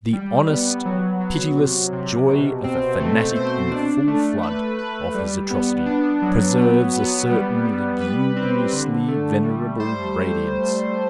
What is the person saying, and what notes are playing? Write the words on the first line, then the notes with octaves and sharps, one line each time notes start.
The honest, pitiless joy of a fanatic in the full flood of his atrocity preserves a certain lugubriously venerable radiance.
G3
B3
F#3
F#3
C3
C3
B2
C4
A3
C5
D4
A3
B4
B4
G3
B3
D4
F#3
B3
B3
G3
G3
B4
C4
D3
A3
G3
C5